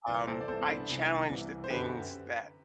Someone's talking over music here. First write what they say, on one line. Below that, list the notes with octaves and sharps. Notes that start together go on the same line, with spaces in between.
um, I challenge the things that
C2 C3 E3 B4 D5
A4 C5
D5
C2 C3 E3 A4 C5
C4
B3 D4
C2 C3 E3
C2 C3 E3
C5
F#2 D3 G4 B4